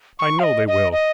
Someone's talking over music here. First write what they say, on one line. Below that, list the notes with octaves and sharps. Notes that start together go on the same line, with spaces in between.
I know they will!'
C#6
F5
D#5
D#5
D#5